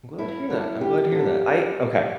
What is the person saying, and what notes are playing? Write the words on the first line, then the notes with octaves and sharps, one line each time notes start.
I'm glad to hear that, I'm glad to hear that, I okay,
G2 E4
D3 F#3
G2 G4
D3 F#3